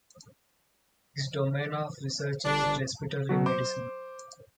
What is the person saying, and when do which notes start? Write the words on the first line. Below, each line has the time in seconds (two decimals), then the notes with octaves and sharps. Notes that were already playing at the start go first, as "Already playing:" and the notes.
His domain of research is respiratory medicine.
2.45 G1 D4
3.29 B2 F#3 F#4
3.46 C5 D6